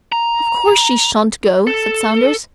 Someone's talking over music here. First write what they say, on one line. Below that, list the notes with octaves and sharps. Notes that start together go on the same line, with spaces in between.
"Of course she shan't go," said Saunders.
A#5
A4